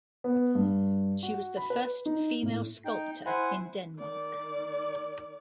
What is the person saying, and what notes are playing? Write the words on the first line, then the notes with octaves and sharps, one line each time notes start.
She was the first female sculptor in Denmark.
B3
G2
F#4
B5
B4
D#4
A2
D#4 G5
E4 C5 F#5 G#5
D#3 D5